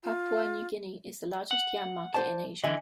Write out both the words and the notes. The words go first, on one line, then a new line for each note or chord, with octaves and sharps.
Papua New Guinea is the largest yam market in Asia.
F4
F#5
C5 D5 A5
D3 E3 D#5 E5 G#5